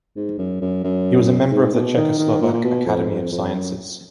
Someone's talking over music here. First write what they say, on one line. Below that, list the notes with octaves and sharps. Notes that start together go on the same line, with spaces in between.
He was a member of the Czechoslovak Academy of Sciences.
G#2
F#2
F#2
F#2
G#2
B2
D#3
D#3
A#2
A#2
B2
F2
F2
F2
F#2